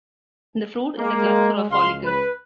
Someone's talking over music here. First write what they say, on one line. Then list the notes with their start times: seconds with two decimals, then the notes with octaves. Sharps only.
The fruit is a cluster of follicles.
0.98 G#3 A#3
1.71 C#2 F5 C6
2.04 B4